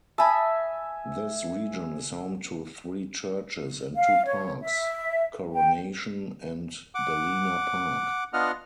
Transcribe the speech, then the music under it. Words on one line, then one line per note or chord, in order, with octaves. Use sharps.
This region is home to three churches, and two parks; Coronation and Balena Park.
E5 G#5 A5 B5 D#6
F5
C#5
E5
G5
F#5 D6
B3 D4 F4 D#5 F#5 F6